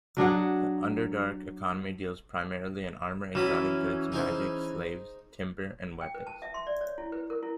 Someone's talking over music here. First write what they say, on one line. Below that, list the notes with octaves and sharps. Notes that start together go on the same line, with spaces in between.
The Underdark economy deals primarily in armor, exotic goods, magic, slaves, timber and weapons.
F#3 D4 G#4 F#5
E3 F#3 C#4 B5 D#6
D#4 G#4 C5
G5
B4
A5
E5
C6
D5
C#5
E4
B4
A#4
E4